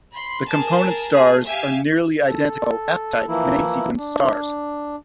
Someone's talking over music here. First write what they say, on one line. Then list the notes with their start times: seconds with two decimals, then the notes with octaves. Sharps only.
The component stars are nearly identical F-type main-sequence stars.
0.15 B5 C6
0.49 G#4 A#4 A5
1.11 A3 G#4
1.45 G4 E5 F5 G#5
2.27 A4
3.28 E3 F3 A#3 E4
3.97 D4